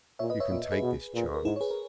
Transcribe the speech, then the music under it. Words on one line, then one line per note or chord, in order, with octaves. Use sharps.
You can take this chance.
A#2 C#5 E5
B4 D#5
C#5 E5
A#2 C#5 E5
G#4 B4
B2
A#2
A#4
G#2 E4 G#4
C#5
G#4 B4
A#4